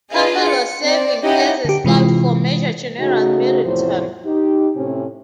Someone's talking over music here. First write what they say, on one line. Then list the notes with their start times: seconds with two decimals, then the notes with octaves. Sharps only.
Campbell was serving as a scout for Major General Middleton.
0.13 D4 F4 G#4 B4 D#5
0.45 C#7
0.84 C4 D5
1.23 C#4 D#4 E4 G4 D#5 F#5
1.65 D3 G4
1.85 C3 E3 G#3 F4
2.99 C#3 A3 D#4 F#4
3.64 E2 A2 C3 F3 C5 C#5
4.26 D#4 G4
4.76 A2 C3 C4 C#4